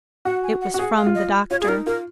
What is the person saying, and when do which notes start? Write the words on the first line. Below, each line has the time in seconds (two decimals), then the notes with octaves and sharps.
It was from the doctor.
0.25 F#4 F#5
0.43 G#5
0.61 F#5
0.74 F#4
0.79 G#4 F#5
0.97 F5
1.07 F4
1.15 D#5
1.51 F4 C#5
1.61 G#4
1.65 F4
1.68 D#4 A#4
1.86 F4 A#4